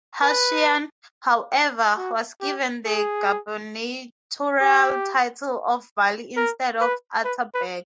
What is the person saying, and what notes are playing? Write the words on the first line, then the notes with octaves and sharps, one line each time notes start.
Husain, however, was given the gubernatorial title of vali instead of atabeg.
B4
F#4
G4
G#4
G4
A#4
B4
B4
B4